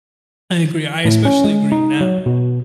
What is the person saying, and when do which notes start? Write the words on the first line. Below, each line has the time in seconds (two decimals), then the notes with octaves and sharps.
I agree. I especially agree now.
1.05 A2
1.25 C#4
1.44 G#3
1.72 D#4
2.01 F#3
2.26 B2